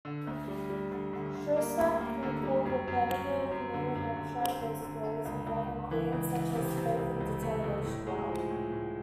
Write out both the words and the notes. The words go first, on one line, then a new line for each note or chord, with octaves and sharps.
Shostak recalled repetitive New Hampshire-based stories involving themes such as faith and determination.
D3
D2
G3
G3
D3
D3
D3
A#3
D2
A#3
D3
G3
F#2
F#2
F#2
C4
F#2
D3
F#2
D3
C4
D3
D3
D3
C#2
C#2
C#2
E3
C#2
E3
C3
C3
C#2
C#2
A3
C#2
A2
G#3
F3
A2
A2